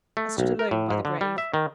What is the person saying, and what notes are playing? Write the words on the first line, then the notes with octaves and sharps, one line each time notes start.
I stood alone by the grave.
A3
B1
A#4
A2
G#2
D3
G3
E5
D#3